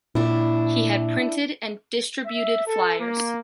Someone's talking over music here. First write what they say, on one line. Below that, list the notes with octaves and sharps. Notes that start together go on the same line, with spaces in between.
He had printed and distributed flyers.
A#2 D4 E4
E5
A4
A#3